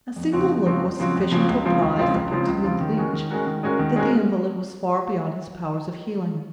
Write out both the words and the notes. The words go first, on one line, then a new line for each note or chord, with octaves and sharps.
A single look was sufficient to apprise the pretended leech that the invalid was far beyond his powers of healing.
F2
C#3 F3 C4 F#4
F2
C#3 F3 C4 F#4
F2
C#3 F3 C4 F#4
F2
C#3 F3 C4 F#4
C#2
C#3 F3 C4 F4
C#2
C#3 F3 C4 F4
C#2
C#3 F3 C4 F4
C#2
C#3 F3 C4 F4
D#3
G#3 C#4 F#4 A#4
D#3
G#3 C#4 F#4 A#4
D#3
G#3 C#4 F#4 A#4
D#3
G#3 C#4 F#4 A#4